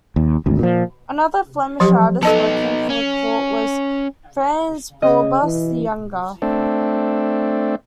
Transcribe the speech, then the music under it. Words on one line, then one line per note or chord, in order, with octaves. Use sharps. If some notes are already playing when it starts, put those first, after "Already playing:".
Another Flemish artist working for the court was Frans Pourbus the younger.
D#2
G#1 D2
A#2 F3
F3 F#3 G4
B3 D#4 A4 D#5 A5
C#4
C#3 D#5
E3
A3 C4 D4